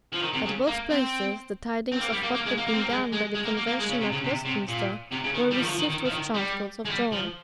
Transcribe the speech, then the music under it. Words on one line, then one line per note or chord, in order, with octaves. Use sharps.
At both places the tidings of what had been done by the Convention at Westminster were received with transports of joy.
F3
D#3
C3
C#3
A#3
C4
C4
A#3
G3
A#3
A#3
G#3
A#3
A#3
C4
A#3
G#3
G#3
G#3
A#3
A#3
A#3
G#3
C#3
C3
C#3
C3
C3
A#2
C3
C#3
D#3
G3
F3
D#3
F3
D#3
D#3
F3
D#3
G3
G#3
G3
F3